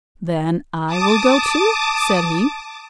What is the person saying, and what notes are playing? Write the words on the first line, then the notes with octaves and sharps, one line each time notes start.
"Then I will go too," said he.
A5 D6 D#6